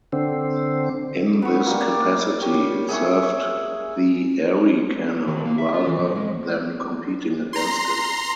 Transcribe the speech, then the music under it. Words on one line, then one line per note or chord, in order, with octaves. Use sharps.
In this capacity, it served the Erie Canal rather than competing against it.
D3 C4
B3 B5 C#6
G3 A#3
D5
G4 C#5
G#4 E5 G#5 C#6
D#3
A#3
E5
F4
E3
F3
G#3
A#5 C6